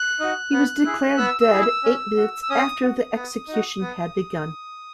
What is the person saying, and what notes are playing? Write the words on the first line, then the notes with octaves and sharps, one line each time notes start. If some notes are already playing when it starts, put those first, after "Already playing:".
He was declared dead eight minutes after the execution had begun.
Already playing: F#6
D#4 F#4
B3
E4 G#4
B3 E6
E6
E4 G#4
E6
C#4
F#4
E6
C#4 D#6
F#4
B3
D#4 F#4
B3